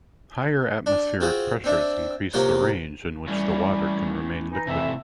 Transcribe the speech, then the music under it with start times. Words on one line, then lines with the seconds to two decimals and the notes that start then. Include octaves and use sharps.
Higher atmospheric pressures increase the range in which the water can remain liquid.
0.86 D4
1.21 C4 F4 F#4 G#4
1.64 C4 D4 E5
2.33 C3 F3 A#3 C#5 F#5 C6
3.28 E3 G3 A3 C#4
4.52 E3 D#4
4.67 F2 A2 C3 E3 E5